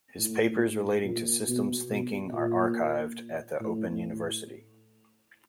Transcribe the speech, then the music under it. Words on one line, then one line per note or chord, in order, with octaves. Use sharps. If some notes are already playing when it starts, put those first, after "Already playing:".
His papers relating to systems thinking are archived at the Open University.
A2
A#2
B2
B2
A#2
A2